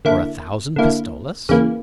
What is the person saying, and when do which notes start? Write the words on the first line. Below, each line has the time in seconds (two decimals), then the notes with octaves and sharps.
"For a thousand pistoles?"
0.05 D3 A#3 E4
0.76 D3 A#3 E4
1.49 E2 C#3 E3 A#3